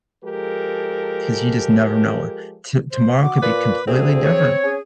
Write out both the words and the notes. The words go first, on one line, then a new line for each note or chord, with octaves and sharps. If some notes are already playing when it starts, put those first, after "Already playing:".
'cause you just never know. T tomorrow could be completely different
F3 G#3 G4 A4 A#4
C5
F#4 D6
A#2 B4
D2 C4 G#4
C#5
C#4 G#4